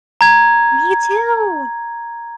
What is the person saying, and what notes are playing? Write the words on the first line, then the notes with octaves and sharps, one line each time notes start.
Me too.
A#5 G#6